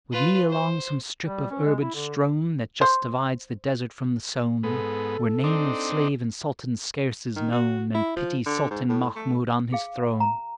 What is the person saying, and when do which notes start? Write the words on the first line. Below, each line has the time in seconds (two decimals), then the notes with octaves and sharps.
With me along some Strip of Herbage strown That just divides the desert from the sown, Where name of Slave and Sultan scarce is known, And pity Sultan Mahmud on his Throne.
0.12 F4 B4
0.50 C5
1.26 G3
1.50 C#4
1.65 G#3
1.81 E4
1.94 D3
2.81 C5
4.63 G#2 B3 A4
5.44 C4 D4 D#4
7.36 D#3
7.52 F#4
7.94 E4
8.16 F3
8.46 D3
8.71 G#2
8.89 A2
9.16 A3
9.72 G#4 F5
10.20 A#5